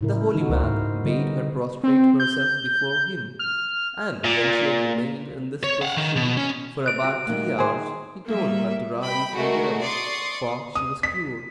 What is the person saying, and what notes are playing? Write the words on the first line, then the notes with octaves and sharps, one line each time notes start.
The holy man bade her prostrate herself before him, and when she had remained in this position for about three hours, he told her to rise and go, for she was cured.
A2 C#3 E4 A#4
D#3 D#4 F#4
C#2 E4 A#4 C5
G#2
D3 G3 B3 D#5
C4
G6
F6
A#2
C#5
F5 F#5
D#3
B2
C#4
F#6 D7
F#4
D2 A#2 D#3
D#3 G#4 A#4 C5
G3 A#3 E5
G5 B5
G#3 A3 F#4 A#4
D5 C6 C#6 D#6
D#6
B6